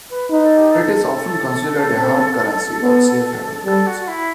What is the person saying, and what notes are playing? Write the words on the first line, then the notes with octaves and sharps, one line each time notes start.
It is often considered a hard currency or safe-haven currency.
B4
D#4 B4
A4
G4
A4
C4
B3
G3 A4
F#4
F#4
E4